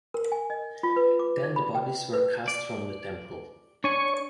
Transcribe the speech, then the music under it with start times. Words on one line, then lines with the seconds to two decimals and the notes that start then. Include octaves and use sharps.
Then the bodies were cast from the temple.
0.14 A#4
0.32 G#5
0.50 D#5
0.83 F4
0.96 B4
1.19 D6
1.43 D5
1.56 B5
1.75 G5
2.13 B4
2.48 D5
3.84 D4 C#5 G#5 C#6